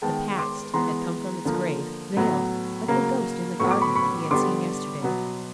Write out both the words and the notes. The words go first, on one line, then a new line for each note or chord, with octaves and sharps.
The Past had come from its grave, veiled, like the ghost in the garden that he had seen yesterday.
D#3 G#3 B3 G5 A5
C6 D6
E3 G#3 B3 A#5 C6
D3 F3 A#3
A2 F#3 B3
C#3 F#3 A#3
A2 F#3 B3 C#6
D6
B5 C#6
B5 C#6
D3 G3 B3 C6 D6
B2 F#3 B3